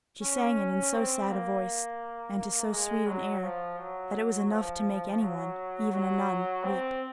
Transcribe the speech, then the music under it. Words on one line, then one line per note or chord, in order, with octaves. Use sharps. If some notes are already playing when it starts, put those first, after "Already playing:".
She sang it in so sad a voice, and to so sweet an air, that it was enough to make any one, even a nun, weep.
C#4
C4
A#3
G#3
F#3
F3
F#3
F3
F#3
F#3
C4